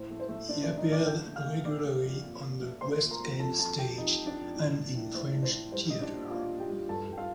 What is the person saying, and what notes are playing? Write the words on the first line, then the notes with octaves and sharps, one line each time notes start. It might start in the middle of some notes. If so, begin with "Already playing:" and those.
He appeared regularly on the West End stage and in fringe theatre.
Already playing: A2 C5
A3
C5
A3
A3 D4 D5
A3 D4 D5
D#4 D#5
A2 D5 D6
D3 G5 G6
A3
F5 F6
A3
A3 D5 D6
A3
F2
A#2
A#2
A3
A3 C5 C6
A#2
A#4 A#5
A#2
F2 A4 A5
F2 A4 A5
F2 G4 G5
F2 D#4 D#5
F2
D4 D5
F2
A2
A2
A2
A3 C5
A2
C5
A2
G3 C5
G3 D#5
D4 D5
A#2
A#2 F4 F5
A#2
G4 G5
G3
G2 A4 A5
G2 G5
F4 F5